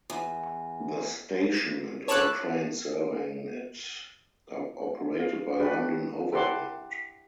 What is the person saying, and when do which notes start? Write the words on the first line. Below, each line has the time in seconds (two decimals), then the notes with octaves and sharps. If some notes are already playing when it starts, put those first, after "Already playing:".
The station and all trains serving it are operated by London Overground.
0.10 E2
2.08 C#5 A5 B5 D6 E6 F#6
5.20 F5
5.60 D4 F#4 G4 B4 D5
6.33 E4 G4 F#5 A5 C6 D6